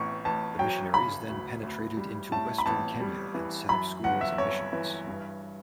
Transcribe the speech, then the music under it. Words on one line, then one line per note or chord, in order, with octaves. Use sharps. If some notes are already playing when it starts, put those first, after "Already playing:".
The missionaries then penetrated into western Kenya and set up schools and missions.
Already playing: A1 A2 C#6
A1 A5
F#3 G5
C#3 B5
D2
D2
G3
A2 A5
B5
A1 A5
G3
E3
F#2 B5
G1 F#5
E5
G1 C#5
E3
G2